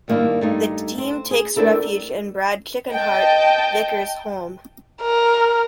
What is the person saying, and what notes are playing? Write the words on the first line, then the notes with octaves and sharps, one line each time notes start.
The team takes refuge in Brad "Chickenheart" Vicker's home.
G2 D#3 A#3 C#4 D4 E4
G2 A3 D#4
C4
G#4
A3 C4 D4 E4 A4 A#4
D#5 G5 A5
A#4